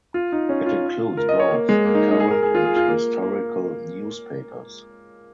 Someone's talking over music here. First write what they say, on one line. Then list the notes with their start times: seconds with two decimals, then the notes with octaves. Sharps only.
It includes both current and historical newspapers.
0.14 F4
0.32 D#4
0.49 C#4
0.66 F4
1.17 A#4
1.29 D#5
1.39 C#5
1.51 A#3
1.69 G#3
1.85 A#3
1.95 D#4
2.11 D#4
2.20 G#4
2.31 A#4
2.43 G#4
2.55 F4
2.65 G#4
2.76 F4
2.88 A#3
3.22 A#3